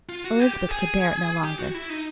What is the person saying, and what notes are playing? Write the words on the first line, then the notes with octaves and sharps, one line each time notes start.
Elizabeth could bear it no longer.
F4
F#4
G4
G4
G#4
G4
F#4
E4
D#4